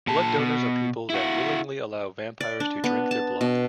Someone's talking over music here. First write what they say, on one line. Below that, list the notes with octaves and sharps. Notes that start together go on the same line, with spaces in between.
Blood donors are people that willingly allow vampires to drink their blood.
A#2 A5
B2
E4 F#4
D5
D4
B3
A5
B2